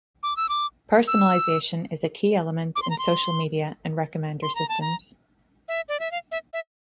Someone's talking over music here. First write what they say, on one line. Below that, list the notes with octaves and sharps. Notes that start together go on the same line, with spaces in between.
Personalization is a key element in social media and recommender systems.
D6
E6
D6
E6
D6
C6
A#5
C6
C6
A#5
A5
A#5
E5
D5
E5
F5
E5
E5